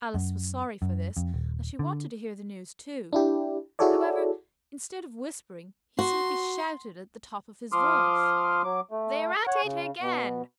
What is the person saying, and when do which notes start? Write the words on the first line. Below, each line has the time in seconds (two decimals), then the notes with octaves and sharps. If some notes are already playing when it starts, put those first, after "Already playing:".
Alice was sorry for this, as she wanted to hear the news too. However, instead of whispering, he simply shouted at the top of his voice 'They're at it again!'
0.14 F#2
0.82 F#2
1.17 F2
1.34 D#1
1.79 D3
3.13 D4 E4 G4
3.79 E4 F#4 G#4 A4 C#5 D5
5.99 F#4 C6
7.72 F3 C6 D6 D#6 F6
8.64 F#3 D6
8.91 A3
9.47 C#5 F#5
9.64 C#3
10.00 B2